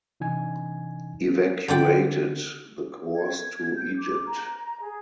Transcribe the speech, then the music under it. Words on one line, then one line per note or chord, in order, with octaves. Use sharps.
Evacuated the corps to Egypt.
C3 E3 D4 D#4 G#5 G#6
D3 D5 G5
G#6
G6
D6
A#5
G#4